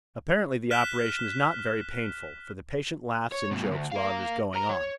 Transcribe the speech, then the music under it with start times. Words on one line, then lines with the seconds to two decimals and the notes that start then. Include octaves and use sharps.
Apparently the operation is not very painful, for the patient laughs and jokes while it is going on.
0.71 F6 F#6 B6 E7 G7
3.32 C#5
3.51 G2 B2
3.71 D2
3.92 A#4 F5
4.54 A#4 A#5
4.69 C#5